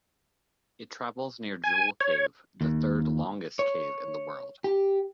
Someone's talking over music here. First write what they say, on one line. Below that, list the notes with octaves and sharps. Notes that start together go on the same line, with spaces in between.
It travels near Jewel Cave, the third-longest cave in the world.
G#5
C#5
D#2
C#5
G4